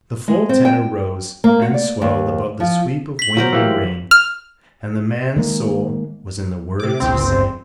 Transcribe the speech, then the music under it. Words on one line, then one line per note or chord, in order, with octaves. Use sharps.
The full tenor rose and swelled above the sweep of wind and rain, and the man's soul was in the words he sang.
G#3
C4
G5
A#3
F#4
D5
D#2
F3
B6 F#7
F#3 A#4 C5
E3 A#3 G4
F6
D#3 G#3 A#3
C3 D6
G1 C#2 C4